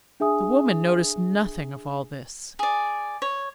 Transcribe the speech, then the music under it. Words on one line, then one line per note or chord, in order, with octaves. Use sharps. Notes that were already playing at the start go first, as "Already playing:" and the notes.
The woman noticed nothing of all this.
D4 G#4 E5 G#5 D#6
G#4 D5
C#5